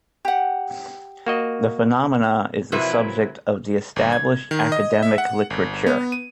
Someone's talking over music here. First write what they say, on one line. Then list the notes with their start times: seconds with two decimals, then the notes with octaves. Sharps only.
The phenomenon is the subject of established academic literature.
0.25 G4 F#5
1.26 A#3 F#4 D#5
2.72 C3 F3 F#3 E4 A#4 B4
3.96 G1
4.12 G#6
4.51 D#3
4.72 D#5
5.03 E5
5.18 F#5
5.50 G1
5.86 B3
6.12 D#7